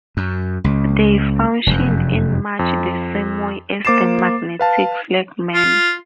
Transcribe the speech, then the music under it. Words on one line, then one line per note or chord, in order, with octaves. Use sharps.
They functioned in much the same way as the Magnetic Flagmen.
F#2
C#2
F1 F#2
F2
A#3 C5 D6 A6 C7 E7
B4 F5 A5
F4